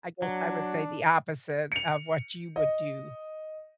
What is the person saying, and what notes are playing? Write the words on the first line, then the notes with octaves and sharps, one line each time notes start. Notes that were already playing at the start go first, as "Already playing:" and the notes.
I guess, I would say the opposite of what you would do.
F#3 D4
C#7 F7
D#5